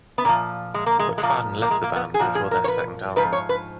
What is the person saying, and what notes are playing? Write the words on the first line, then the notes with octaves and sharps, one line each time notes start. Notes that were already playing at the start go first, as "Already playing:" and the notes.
McFadden left the band before their second album.
B3
A#2 F3 A#3
G#3
A#3
G#3
G#3
A#2 F3 A#3
A#3
G#3
A#3
B3
G#4
A#2 F3 F#4
G#4
A#4
C#5
B4
G#2 F3 B4
C#5
B4